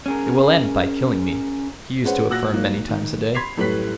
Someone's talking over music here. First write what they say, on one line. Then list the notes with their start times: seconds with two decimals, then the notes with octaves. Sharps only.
"It will end by killing me," he used to affirm many times a day.
0.06 C#4 G#4 A#4
2.04 G#3 C#4 B4 C5 F#5
2.30 A#2 F#4 E6 F#6 A#6
2.53 F#3 A#3 D#4
2.89 D#3
3.34 B5 C6 G#6 B6 C7 F7
3.57 F#2 A2 G3 B4 F#6 B6